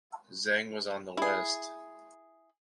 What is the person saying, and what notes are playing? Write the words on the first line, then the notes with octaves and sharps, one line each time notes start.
Zheng was on the list.
E4 G#4